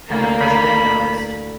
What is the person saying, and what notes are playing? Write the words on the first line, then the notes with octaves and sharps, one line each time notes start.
And the president noticed.
D2 A#3 E4 F5
B5